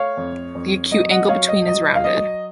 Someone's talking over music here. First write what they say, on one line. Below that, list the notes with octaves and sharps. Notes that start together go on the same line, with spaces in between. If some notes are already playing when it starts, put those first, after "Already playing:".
The acute angle between is rounded.
Already playing: A3 C#5 F5
F2
F2
F#3 D#5
D#5 F#5
F#3 C#5 F5
D#5
F#3 D#5
F5
F#3 D#5